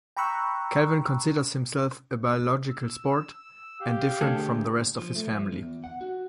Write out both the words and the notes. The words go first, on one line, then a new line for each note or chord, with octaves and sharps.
Calvin considers himself a biological "sport" and different from the rest of his family.
G5 A#5 B5 C#6 E6 F#6
E6
G4 F5
D3 A3 G#4 A4
F3
A3
F3
E2
F#5
F#4